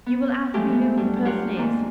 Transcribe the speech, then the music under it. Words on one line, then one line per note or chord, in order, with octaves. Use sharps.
You will ask me who the person is.
B3
F3 F#3 G#3 A3 G4
E3 B3
G2 F#3
F#3 F4 G4 C#5 F#6
G#2 A#3 C4 D4